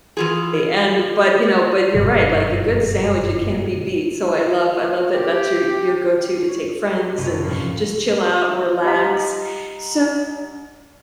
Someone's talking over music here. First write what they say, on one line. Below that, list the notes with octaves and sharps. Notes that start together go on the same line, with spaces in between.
and but, you know but you're right, like a good sandwich, it can't be beat, so I love I love that that's your your go-to to take friends and just chill out and relax. So
E3 F4 G#4
F#1 G2 B2 F#3
G4
C#5
F#1 C2 D#7
G1 A2 F3 F4
G3 D#4 F#5 A#5 B6